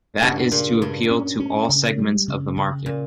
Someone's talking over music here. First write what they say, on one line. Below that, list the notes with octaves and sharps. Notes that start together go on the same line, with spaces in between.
That is to appeal to all segments of the market.
G2 C#3
A#2 C#3
G2 C#3
C#4
C#4
C#3
G3
C#3
C#3
A#2 C#3